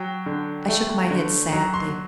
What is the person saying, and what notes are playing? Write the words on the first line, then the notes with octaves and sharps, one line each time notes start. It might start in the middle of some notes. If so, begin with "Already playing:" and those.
I shook my head sadly.
Already playing: F#3 G5
D3
A3
D3
F#3 A#5
C6